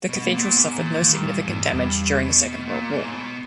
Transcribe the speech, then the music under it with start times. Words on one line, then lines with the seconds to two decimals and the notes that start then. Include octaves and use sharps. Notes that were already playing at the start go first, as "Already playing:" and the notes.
The cathedral suffered no significant damage during the Second World War.
0.09 B2
0.16 B3
0.24 A#3
0.32 A#2 B3
0.47 B3
0.55 G#2
0.78 A#2 E3
1.02 D#3
1.09 G2
1.25 A#2
1.41 E2
1.48 G#2
1.71 E2 G2
2.13 A#2
2.19 B2
2.65 A#2
2.88 G#2
3.01 A#2
3.12 B2